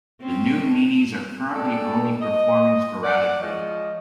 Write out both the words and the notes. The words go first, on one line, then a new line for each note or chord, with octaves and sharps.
The New Meanies are currently only performing sporadically.
C4 C#4
G#3 D4 A4 D5 G5 A5
D#5
D5 F#5
F3 G#3 C#5 D#5